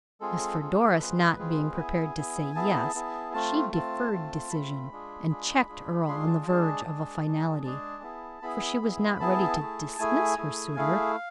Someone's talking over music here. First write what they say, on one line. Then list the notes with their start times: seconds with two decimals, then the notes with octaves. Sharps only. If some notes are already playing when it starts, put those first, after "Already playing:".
As for Doris not being prepared to say "yes," she deferred decision, and checked Earle on the verge of a finality, for she was not ready to dismiss her suitor.
0.21 G#3 C4 F4 G#4 A4
0.60 G#3 C4 F4 G#4
0.99 G#3 C4 F4 G#4 B4
1.38 G#3 C4 F4 G#4
1.77 B3 E4 G#4 G#5
2.16 B3 E4 G#4
2.55 B3 E4 G#4 A5
2.95 B3 E4 G#4
3.34 A3 C4 F4 A5
3.73 A3 C4 F4 A5
4.12 A3 C4 F4
4.51 A3 C4 F4 B5
4.90 G#3 D4 F4 G#4
5.29 G#3 D4 F4 G#4
5.68 G#3 D4 F4 G#4
6.07 G#3 D4 F4 G#4 C6
6.27 A5
6.46 G#3 D4 G#4 A5
6.85 G#3 D4 G#4
7.25 G#3 D4 G#4
7.64 G#3 D4 G#4 A5
8.03 B3 E4 G#4
8.42 B3 E4 G#4 B5
8.81 B3 E4 G#4
9.20 B3 E4 G#4 A5
9.59 A3 E4 G#4
9.98 A3 E4 G#4 G#5
10.38 A3 E4 G#4
10.76 A3 E4 G#4 F5